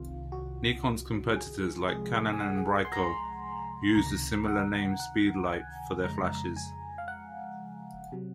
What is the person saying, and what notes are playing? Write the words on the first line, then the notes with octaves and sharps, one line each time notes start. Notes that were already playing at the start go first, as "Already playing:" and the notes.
Nikon's competitors like Canon and Ricoh use the similar name Speedlite for their flashes.
Already playing: C2 C3 D#3 F4
F#4
G#4
C2 C3 F3 G#3 G#4
G#5
F#5
F#5
G#5
C6
A#5
C#2 C3 D#3 A#5
F#5
F#5
F#5
G#5
F2 C#3 F3 G#3 A#5
G#5
F5
F#5
C3 F#3